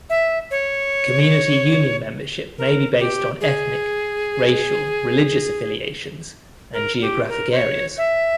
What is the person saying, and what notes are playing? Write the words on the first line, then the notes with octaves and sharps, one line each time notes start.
Community union membership may be based on ethnic, racial, religious affiliations and geographic areas.
E5
C#5
A#4
G4
G#4
A#4
G4
A#4
C5
C#5
E5